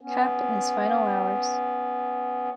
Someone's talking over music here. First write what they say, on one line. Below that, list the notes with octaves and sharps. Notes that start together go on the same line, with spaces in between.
Cap in his final hours.
B3 C#4